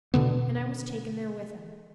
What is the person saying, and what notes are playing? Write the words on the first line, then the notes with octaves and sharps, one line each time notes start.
And I was taken there with him.
B2 D3 B3